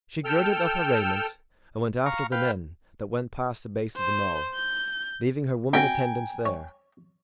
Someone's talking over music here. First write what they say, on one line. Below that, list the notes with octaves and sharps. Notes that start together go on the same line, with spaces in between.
She girded up her raiment and went after the men that went past the base of the knoll, leaving her women attendants there.
A4 G5 E6 F6
F5 A#5 C#6
B4 F5 G5
C5
G6
B2 B3 C4 G5 G#5 A#5
C#5